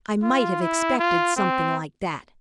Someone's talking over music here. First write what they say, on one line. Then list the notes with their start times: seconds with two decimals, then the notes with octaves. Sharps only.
I might have expected something like that.
0.22 F4
0.61 E4
0.99 F4
1.36 C4